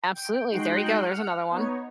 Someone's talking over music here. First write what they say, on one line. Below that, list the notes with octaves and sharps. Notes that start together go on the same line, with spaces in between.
absolutely, there you go. There's another one,
G5
G#3 D#4 F#4 G5 C6 F#6
F#5 F6
B3 D#4 C#5